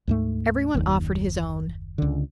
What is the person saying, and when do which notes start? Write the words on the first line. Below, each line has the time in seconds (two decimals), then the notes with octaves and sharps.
Everyone offered his own.
0.07 D2 G#2 A3
0.74 F#1 D#2
1.98 C#2 D3